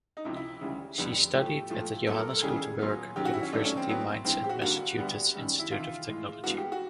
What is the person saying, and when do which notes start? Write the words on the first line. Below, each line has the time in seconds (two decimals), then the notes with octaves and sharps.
She studied at the Johannes Gutenberg University Mainz and Massachusetts Institute of Technology.
0.17 D#4
0.25 C#2 C3 F3 E4
0.36 E4
0.61 D2 C#3 E3 G3
0.98 F2 D3 G3 B3
1.34 A2 F3 A3 G4
1.70 A#2 F3 A3
2.07 A#2 F#3 B3 A4
2.19 A#4
2.30 A4
2.42 D#2 C#3 E3 G3 G#4
2.79 A#2 F#3 B3
3.16 F#2 D#3 F#3 G4
3.25 F#4
3.33 E4
3.43 C#4
3.52 D#2 D#3 F#3 A3 D4
3.65 C#4
3.77 C4
3.88 A2 F#3 B3
4.25 G2 E3 G#3 C4
4.44 G4
4.49 F#4
4.61 G2 D3 G3 A#3 F#4
4.97 D2 D3 G3 B3
5.34 F#2 D#3 G3
5.59 E4
5.71 E2 C3 D#3 F4
6.07 A2 E3 G#3
6.44 G2 E3 G#3 B3 F#4
6.58 G4
6.72 F#4